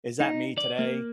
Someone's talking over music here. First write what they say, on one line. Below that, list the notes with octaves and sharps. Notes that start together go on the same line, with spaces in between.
Is that me today?
D#4
D5
A#3